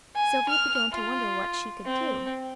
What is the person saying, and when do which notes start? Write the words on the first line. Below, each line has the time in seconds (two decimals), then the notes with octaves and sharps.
Sylvia began to wonder what she could do.
0.16 G#5
0.49 F6
0.93 F4
1.85 C4